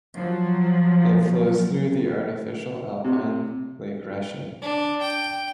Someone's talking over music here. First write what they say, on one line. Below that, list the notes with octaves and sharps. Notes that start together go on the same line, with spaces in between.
It flows through the artificial alpine Lake Reschen.
F3 F#3
C3
D4
G5